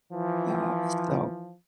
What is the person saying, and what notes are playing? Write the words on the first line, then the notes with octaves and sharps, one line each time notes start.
uh, so
E3 F3